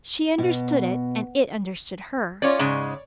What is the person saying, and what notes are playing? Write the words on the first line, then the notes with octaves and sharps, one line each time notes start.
She understood it, and it understood her.
B2
C#4 F4 C#5 D5
G#2 C#3 G#3